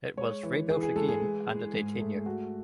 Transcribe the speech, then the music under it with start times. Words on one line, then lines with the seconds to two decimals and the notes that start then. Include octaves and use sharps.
It was rebuilt again under their tenure.
0.17 G#3 C#5
0.43 E3
0.69 E3 G#4
0.83 G#4
0.96 G#3 A4
1.09 G#4
1.21 G#3
1.48 G#3
1.74 G#2
2.00 A3
2.26 A3 F#4